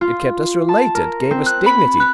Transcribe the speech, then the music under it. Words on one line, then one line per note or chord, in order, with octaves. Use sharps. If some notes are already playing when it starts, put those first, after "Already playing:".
It kept us related--gave us dignity....
F4
A5
A#4
C4
F#6
B5
F#6